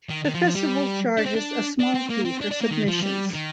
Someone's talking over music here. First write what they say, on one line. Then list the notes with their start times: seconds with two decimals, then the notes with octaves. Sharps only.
The Festival charges a small fee for submissions.
0.09 D#3
0.24 D#3
0.34 F3
0.45 F3
0.55 G3
1.17 D4
1.25 C4
1.35 D4
1.79 D4
1.94 C4
2.10 A#3
2.25 C4
2.41 D4
2.51 D4
2.61 A#3
2.71 D#3
2.87 F3
3.02 G3
3.33 D#3